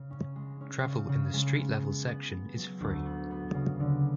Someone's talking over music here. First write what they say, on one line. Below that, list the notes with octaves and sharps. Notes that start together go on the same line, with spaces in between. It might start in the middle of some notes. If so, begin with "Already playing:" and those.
Travel in the street-level section is free.
Already playing: C#3
C#4
G#3
C#4
C#3
C#3
G#3
G#3
B3
B3
B3
F#3
D2
B3
B3
C#3
D3